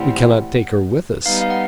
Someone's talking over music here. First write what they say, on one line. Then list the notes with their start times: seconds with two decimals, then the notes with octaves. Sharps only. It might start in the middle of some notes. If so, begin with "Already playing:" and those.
"We cannot take her with us."
Already playing: A2 E3 G3 C4 F#5
1.25 G3 B3 D#4 F5
1.41 F5
1.50 F#5